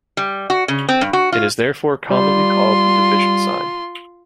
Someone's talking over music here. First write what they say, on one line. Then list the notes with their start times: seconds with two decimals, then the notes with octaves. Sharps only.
It is therefore commonly called the division sign.
0.17 G3
0.50 F#4
0.68 C#3
0.89 C4
1.01 G2
1.13 F#4
1.32 F4
2.11 G3 F4 C6